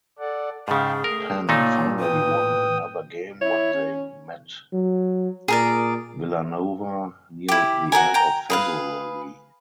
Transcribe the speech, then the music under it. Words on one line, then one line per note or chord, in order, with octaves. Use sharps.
Penn finally won another game when they met Villanova near the end of February.
A4 D5 F#5
G#2 C#3 G#4 F5 G5 A5
A3 A#4
A#2 A3 A#3 D#4 C#5
A2 B4 G5 D#6
E4 C#5
C#4
F#3
A#2 G#4 A#4 D5
E4 G4
F#4 G#4 A#4 G#5
G5 A#5
G#4 B4 F5